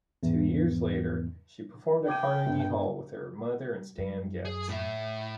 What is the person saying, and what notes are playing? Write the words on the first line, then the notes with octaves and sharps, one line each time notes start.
Two years later, she performed at Carnegie Hall with her mother and Stan Getz.
E2 G#2
G5 D6 G#6 D#7
G1 G2
F#2
G#4
A2 E5